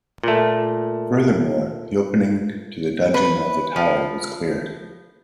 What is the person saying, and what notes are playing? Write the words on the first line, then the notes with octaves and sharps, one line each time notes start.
Furthermore, the opening to the dungeon of the tower was cleared.
A#2 A3
B4
F3